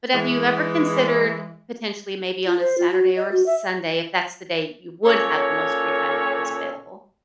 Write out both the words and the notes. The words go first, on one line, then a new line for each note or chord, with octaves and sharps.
But have you ever considered, potentially, maybe on a Saturday or a Sunday, if that's the day you would have the most free time, if it was available,
E3 G#3
F4
C5
F4
F#4
D#5
F#4
E5
A#2 C#4 A4 C#5